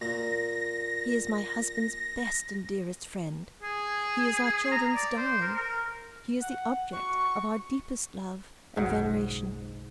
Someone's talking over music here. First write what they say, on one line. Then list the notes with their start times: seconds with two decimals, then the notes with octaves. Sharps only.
He is my husband's best and dearest friend, he is our children's darling, he is the object of our deepest love and veneration.
0.01 A#2 A#6
3.63 G#4
4.72 A#5
4.96 D5
5.17 C5
5.42 A#4
5.56 A#4
6.41 F#5
6.93 F#4 C#6
8.76 F#1 B1 G#2 F3 F#3 F#5